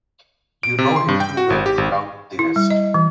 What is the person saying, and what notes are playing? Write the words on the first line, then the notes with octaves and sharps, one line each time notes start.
You know him too well to doubt the rest.
D7
C3
C6
G2
G5
F#4
G#1
G4
G#1
E4
G3
D#5
E3